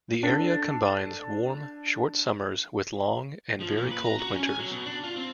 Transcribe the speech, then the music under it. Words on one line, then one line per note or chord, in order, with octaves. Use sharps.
The area combines warm, short summers with long and very cold winters.
D4 A4
F3
A#2
B4
A#5
F#4
C#4
G#5
F#3
B2
D4
F4
C4